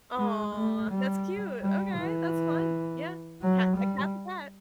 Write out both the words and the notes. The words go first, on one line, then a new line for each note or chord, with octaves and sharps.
Aw, that's cute. Ok, that's fun. Yeah, cat a cat's a cat.
G#3
A3
G3
G3
E3
F#3
G3